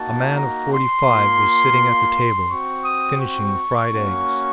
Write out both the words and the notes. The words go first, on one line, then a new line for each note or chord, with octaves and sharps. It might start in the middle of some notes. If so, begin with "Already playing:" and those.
A man of forty-five was sitting at the table, finishing the fried eggs.
Already playing: A#3 D#4 F#4 A5
A#5
C6
A#3 F4
C4 F#4 C#6
D#6
C#6
A#3 C#4 F#4